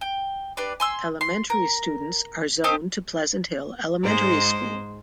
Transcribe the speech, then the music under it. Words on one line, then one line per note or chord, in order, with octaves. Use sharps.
Elementary students are zoned to Pleasant Hill Elementary School.
G5
D4 G4 B4 D5
G#5 C6 E6
C6
A#4
C4 D4 D#4 G4
G#2 G#3 C5